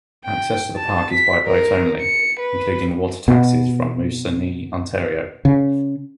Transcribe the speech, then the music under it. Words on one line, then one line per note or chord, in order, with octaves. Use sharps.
Access to the park is by boat only, including water taxis from Moosonee, Ontario.
G5
A5
B6
A#4
C#7
B4
B2
C#3